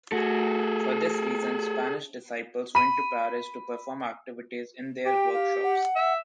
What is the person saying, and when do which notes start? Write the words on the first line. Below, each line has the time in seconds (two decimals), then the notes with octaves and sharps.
For this reason, Spanish disciples went to Paris to perform activities in their workshops.
0.12 A3 F#4 G#4 A4
2.75 B5 D#7
5.06 G4 G5
5.34 F5
5.63 F#5
5.96 E5